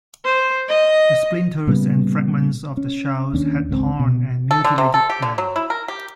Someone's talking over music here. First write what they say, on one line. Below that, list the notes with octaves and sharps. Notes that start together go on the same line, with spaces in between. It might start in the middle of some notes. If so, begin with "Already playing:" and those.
The splinters and fragments of the shells had torn and mutilated them.
C5
D#5
A#2 C#3 G3 B3
C#4
D#2 C#4 D4
G#1 C#2 C3 C4
B2
A4
D3
C3
A4
G4
D3
F#3
E4
A#4
G4